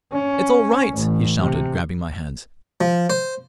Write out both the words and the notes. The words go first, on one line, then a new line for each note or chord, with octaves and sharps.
"It's all right!" he shouted, grabbing my hands.
C#4
A1
C3
F3
C5